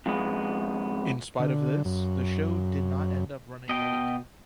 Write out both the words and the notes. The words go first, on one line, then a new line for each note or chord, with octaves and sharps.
In spite of this, the show did not end up running late.
F2 G#2 G#3 B3
D3
F#2
B2 D#5 G5